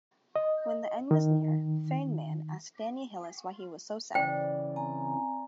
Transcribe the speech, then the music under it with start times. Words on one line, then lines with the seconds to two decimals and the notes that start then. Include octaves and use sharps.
When the end was near, Feynman asked Danny Hillis why he was so sad.
0.36 D#5
1.11 D#3
4.15 C#3 E3 C5 D5 G5
4.76 C4 G#5 A#5